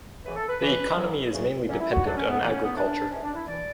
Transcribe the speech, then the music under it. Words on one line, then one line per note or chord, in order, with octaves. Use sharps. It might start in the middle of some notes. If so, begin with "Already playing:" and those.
The economy is mainly dependent on agriculture.
F#2 C#3 E3 B4
A4
B4
F#2 C#3 E3 B4
F#2 D3 F#3
E2 C#3 F#3
E2 D3 F#3 C#4
E4
F#4
F#2 D3 F#3 D4
C#4
B3
E2 C#3 E3 B3
C#4
B3
G#2 E3 D4
G#2 E3 C#4
D4
E4
E3 D5